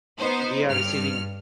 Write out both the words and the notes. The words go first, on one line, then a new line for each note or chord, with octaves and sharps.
We are receiving.
B3 D#4 C5
G2 F6